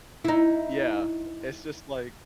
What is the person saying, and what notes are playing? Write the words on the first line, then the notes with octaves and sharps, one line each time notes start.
Yeah, it's just, like
D#4 E4